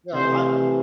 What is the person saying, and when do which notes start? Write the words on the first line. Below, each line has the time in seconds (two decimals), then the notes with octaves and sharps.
yeah, I
0.13 C3 E3 A3 C5